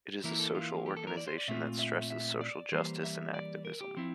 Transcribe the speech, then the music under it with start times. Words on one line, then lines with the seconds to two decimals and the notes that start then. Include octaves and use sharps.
It is a social organization that stresses social justice and activism.
0.24 E3 A#3 E4 A#4
0.40 A4
0.55 F4
0.86 G4
0.97 A4
1.07 A#4
1.17 D5
1.27 C5
1.38 D5
1.48 A#2 A3 C4 F4 E5
1.79 E5
2.10 E5
2.41 D5
2.72 E3 G3 A#3 C5
3.04 E5
3.34 D5
3.65 A#4
3.81 G4
3.96 F3 C4 E4